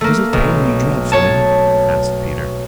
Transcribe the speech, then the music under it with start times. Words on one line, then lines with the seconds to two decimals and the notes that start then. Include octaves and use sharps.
"Does it pain you dreadfully?" asked Peter.
0.01 A3 A#3
0.33 B1
1.12 C#5 A5